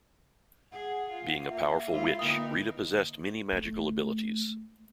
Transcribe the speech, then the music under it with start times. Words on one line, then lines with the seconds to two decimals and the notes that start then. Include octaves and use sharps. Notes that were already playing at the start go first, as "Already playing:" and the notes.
Being a powerful witch, Rita possessed many magical abilities.
0.72 G#4 F#5
1.09 F4
1.49 A#3 E5
1.91 G#3 E4 F4
2.19 D3 A#3 B3 D#4 A#4 D#6
3.53 A3